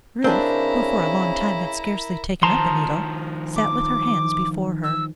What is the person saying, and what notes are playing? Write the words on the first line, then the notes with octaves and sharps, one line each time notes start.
Ruth, who for a long time had scarcely taken up a needle, sat with her hands before her.
C#3 C4 D4 E4 A#4 A#5
D#3 F3 A5 A#5 C6
D6
E6